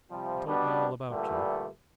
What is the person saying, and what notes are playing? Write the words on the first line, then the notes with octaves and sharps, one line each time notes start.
He told me all about you....
C3 F3 G3
B2 G3 B3 D4
G2 A#2 D3 E3 G3 A3